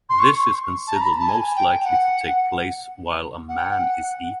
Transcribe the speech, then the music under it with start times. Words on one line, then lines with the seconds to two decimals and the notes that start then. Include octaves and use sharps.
This is considered most likely to take place while a man is eating.
0.09 C6
0.19 C#6
0.87 A5
0.95 A#5
1.00 B5
1.18 A5
1.28 G#5
1.56 G5
1.84 F#5
3.48 F#5
3.56 G5
3.63 F#5